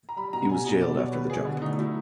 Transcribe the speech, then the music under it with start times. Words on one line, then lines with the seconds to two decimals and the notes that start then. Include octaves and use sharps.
He was jailed after the jump.
0.09 A#5
0.17 G3 B5
0.33 B2 A#5
0.49 G3 G#5
0.65 B2
0.81 G3 D5
0.97 B2 C#5
1.13 G3 B4
1.30 B2 G#4
1.46 D3 D4
1.62 A3 D#4
1.78 F#3 E4